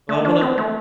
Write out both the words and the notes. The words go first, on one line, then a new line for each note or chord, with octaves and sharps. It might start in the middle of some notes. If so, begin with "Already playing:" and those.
Well, I wanna
A3
D4
C4
A3